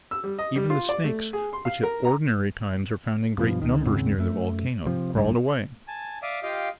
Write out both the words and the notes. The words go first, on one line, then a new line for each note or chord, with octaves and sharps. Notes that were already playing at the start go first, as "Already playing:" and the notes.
Even the snakes, which at ordinary times are found in great numbers near the volcano, crawled away.
E6
G3
D#5
G3
F4
D5
A3
G#4
C6
F5
A#4
A#5
G2 B2 F3
C#2 D#3
D#2 G#2 C#3 C4
F#2 A3
C3 F3
G1 C2 G2
G#5 A5
D5 E5 F5 D#6
F4 G4 D#5 F5 G5